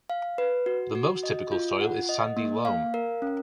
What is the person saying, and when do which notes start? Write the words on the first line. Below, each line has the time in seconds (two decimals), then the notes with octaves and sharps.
The most typical soil is sandy loam.
0.10 F5
0.38 B4
0.66 F#4
0.95 F#4
1.23 D#5
1.52 F4
1.81 F#5
2.09 D#5
2.37 A#3
2.65 F5
2.94 A#4
3.22 C#4